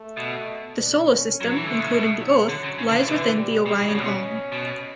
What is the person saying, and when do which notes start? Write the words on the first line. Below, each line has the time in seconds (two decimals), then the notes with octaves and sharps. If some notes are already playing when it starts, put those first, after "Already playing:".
The Solar System, including the Earth, lies within the Orion Arm.
Already playing: A3
0.17 B2
0.75 D4
1.05 C#4
1.34 C#4
1.41 F#3
1.53 E3
1.63 D3 A3
1.79 C#3
1.92 B2
2.20 F#3
2.49 D3 F#3
2.63 C#3
2.78 C#3 E3
2.88 D3
2.98 C#3
3.07 D3 E3
3.36 G3
3.65 B2 G3
3.80 A2
3.89 C#3
3.95 B2 C#4
4.52 B2